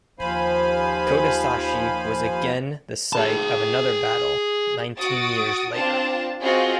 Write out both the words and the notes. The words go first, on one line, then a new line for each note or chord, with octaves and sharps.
Kotesashi was again the site of another battle nineteen years later.
D#2 F3 C5 F5 G#5 B5
G#4 A5
F#4 D#6 A6 D7
C4 D4 F4 A5
C4 F4 F#4 G#4 D#5 G5